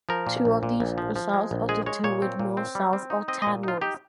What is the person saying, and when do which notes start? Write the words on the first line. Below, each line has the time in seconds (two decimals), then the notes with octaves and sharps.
Two of these are south of the two windmills south of Tadworth.
0.09 F3 A#4
0.27 A#2
0.45 A#1
0.63 A#2
0.80 A#1
0.98 F3
1.16 F3
1.34 G#3
1.51 A#1
1.69 G#3 G#4
1.86 G#3 C#5
2.04 A#2 C#5
2.22 C4
2.39 A#2
2.57 C4
2.75 G3
2.93 C4
3.10 D#4
3.28 C4 D#5
3.42 D#5
3.47 A#2
3.64 D#4 F4
3.81 D#4 G4